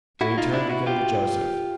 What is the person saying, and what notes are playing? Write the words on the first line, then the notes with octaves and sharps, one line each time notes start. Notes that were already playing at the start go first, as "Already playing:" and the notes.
Then he turned again to Joseph.
E4 F#4
D#4 F4
D4 E4
E4 F#4
F4 G4